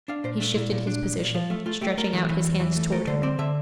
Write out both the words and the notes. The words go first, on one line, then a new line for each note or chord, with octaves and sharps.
He shifted his position, stretching out his hands toward her.
D4 F5
A#2 C5
A3 D4
A#2 E4
A#2
D4
A#2
A#2
F3
A3 F4
A3 F4
A3 G4
A3 A#4
E3
E3
E2
E3
A3
A3 A#4
D3 C5
C4 D5
D3 E5